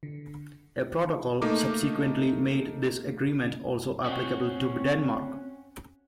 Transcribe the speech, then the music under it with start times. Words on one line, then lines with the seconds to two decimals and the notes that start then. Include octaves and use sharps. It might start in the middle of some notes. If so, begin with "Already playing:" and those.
A protocol subsequently made this agreement also applicable to Denmark.
0.03 D3
1.42 A3 A#3 D#4 D6
4.04 C4 C#4 F#4